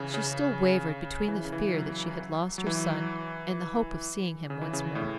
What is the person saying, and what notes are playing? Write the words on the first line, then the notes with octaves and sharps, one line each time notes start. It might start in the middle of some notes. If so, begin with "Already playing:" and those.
She still wavered between the fear that she had lost her son and the hope of seeing him once more.
Already playing: C#3 E3
C#3
E3
C#3
E3
F#3
F#3
E3
C#3
E3
C#3
A2